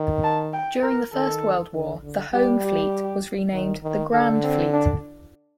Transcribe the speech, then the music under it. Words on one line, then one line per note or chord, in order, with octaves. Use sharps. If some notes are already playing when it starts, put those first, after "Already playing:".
During the First World War, the Home Fleet was renamed the Grand Fleet.
Already playing: D#3
A5
G5
A#4
D#3 A4
D3
D3
G3 G4
G4
D#3
D#3
D3 A4
C4
D4